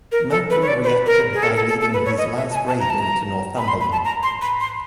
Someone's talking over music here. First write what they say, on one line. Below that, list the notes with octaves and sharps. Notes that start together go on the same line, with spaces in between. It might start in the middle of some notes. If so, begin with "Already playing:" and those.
Malcolm reacted by leading his last raid into Northumberland.
A#4
A4
B4
C#5
D5
C5
B4
A#4
G#4
A4
A4
A4
A4
B4
C#5
D#5
E5
A5
G#5
A5
A#5
A5
A#5
B5
C6
B5
A5
A#5
C6
B5
C6